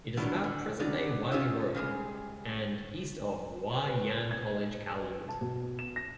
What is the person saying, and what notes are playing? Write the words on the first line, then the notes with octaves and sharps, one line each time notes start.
It is about present-day Wylie Road and east of Wah Yan College, Kowloon.
D#3 F#3 G3 B3 D4 E4
D3
C#3 F#3 B3 D#4 D5
C#4 D#4 F4 G4 D#5 E5
C#3 G3 G#3 G#4
B4
G#6
D#5
B4
A5
B2
E7
A#6